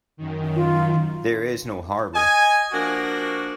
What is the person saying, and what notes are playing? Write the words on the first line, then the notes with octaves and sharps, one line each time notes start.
There is no harbour.
F#2 D#3
F4
D#5 G#5
F3 A#3 D4 F#4